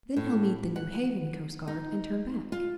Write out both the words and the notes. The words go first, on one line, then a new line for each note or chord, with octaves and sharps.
'Then he'll meet the Newhaven coastguard and turn back.
A2
F#5
D#4
F4